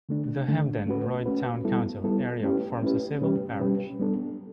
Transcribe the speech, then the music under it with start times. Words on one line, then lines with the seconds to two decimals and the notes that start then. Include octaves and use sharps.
The Hebden Royd Town Council area forms a civil parish.
0.09 D3 A3 D4
0.48 D3 A3 D4
0.87 A3 C#4 F#4 B4
1.26 A3 C#4 F#4 B4
1.64 G3 B3 E4 A4
2.04 G3 B3 E4 A4
2.43 A3 C#4 E4 G4 B4
2.82 A3 C#4 E4 G4 B4
3.21 B2 G3 C#4 G4 B4
3.60 B2 G3 C#4 G4 B4
3.99 G3 B3 D4 A4